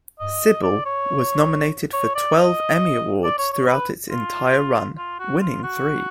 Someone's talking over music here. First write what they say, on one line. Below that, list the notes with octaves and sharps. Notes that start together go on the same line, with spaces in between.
"Cybill" was nominated for twelve Emmy Awards throughout its entire run, winning three.
D#5
D5
C#5
C#5
D5
D#5
D5
C#5
C#5
B4
F4
F4
F#4
F4
F#4